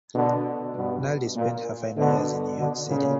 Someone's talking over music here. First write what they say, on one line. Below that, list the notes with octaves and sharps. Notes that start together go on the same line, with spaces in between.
Naldi spent her final years in New York City.
B2 D3
G2 B2
A#2
B2 D3
B2 D3
A#2 C#3